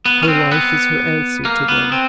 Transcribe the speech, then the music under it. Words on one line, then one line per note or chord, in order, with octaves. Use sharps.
Her life is her answer to them.
B3
C#4
C4
B3
A#3
B3
C4